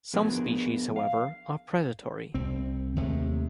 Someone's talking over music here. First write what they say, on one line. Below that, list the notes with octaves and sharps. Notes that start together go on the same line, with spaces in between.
Some species however, are predatory.
F3 B3 D4 G#4 A#4
F5
C2 C4
D#2 C3 G#3 A3